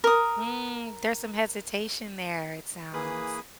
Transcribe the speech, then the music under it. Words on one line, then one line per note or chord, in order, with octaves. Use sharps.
Hmm, there's some hesitation there, it sounds.
A#4 D#6
E3 A#3 G#4 B4 B5 D#6